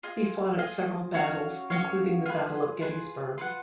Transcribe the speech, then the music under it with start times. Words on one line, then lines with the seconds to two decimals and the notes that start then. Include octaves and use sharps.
He fought at several battles, including the Battle of Gettysburg.
0.03 F4 G#4 D#5
0.58 F4 G#4 D#5
1.14 C#4 F#4 C#5 F5
1.70 C#4 F#4 C#5 F5
2.26 F4 G#4 B4
2.81 F4 G#4 B4
3.38 F4 B4 F#5